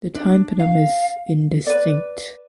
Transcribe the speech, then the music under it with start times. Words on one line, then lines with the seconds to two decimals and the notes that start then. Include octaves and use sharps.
The tympanum is indistinct.
0.15 D4
0.60 F5
1.67 B4 D5